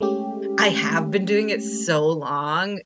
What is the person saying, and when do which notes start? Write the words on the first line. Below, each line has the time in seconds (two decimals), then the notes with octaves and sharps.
I have been doing it so long,
0.01 G#3 A3 C#4 G4